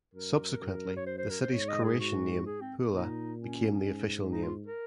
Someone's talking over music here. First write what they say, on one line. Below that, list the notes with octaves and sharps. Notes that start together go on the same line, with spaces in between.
Subsequently, the city's Croatian name, Pula, became the official name.
F#2 A#4
F#2
C#5
C5
C5
A#4
C5
G#2 C#5
D#5
G#4
F#4
G#4
C4
A#2 D#4
C#4
G#2
D#4
F4
A#4